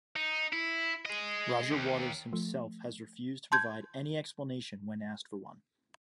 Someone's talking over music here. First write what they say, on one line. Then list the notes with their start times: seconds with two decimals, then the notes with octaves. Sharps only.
Roger Waters himself has refused to provide any explanation when asked for one.
0.16 D#4
0.53 E4
1.06 G#4 D#5
1.72 D#2
2.33 F3 A3
3.52 A5 C6 G6 G#6